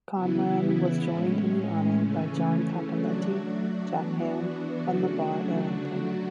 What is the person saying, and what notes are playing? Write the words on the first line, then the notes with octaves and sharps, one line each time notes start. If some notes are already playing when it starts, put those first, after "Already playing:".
Conlan was joined in the honor by John Cappelletti, Jack Ham and LaVar Arrington.
C#3 E3 B3 E4
A2 G#3 C#4
C#3 E3 A3 C#4
F#3 A3 D4 F#4
E3 B3 D4 F#4
C#3 F#3 A3 D4 F#4
D3 F#3 A3 D4 F#4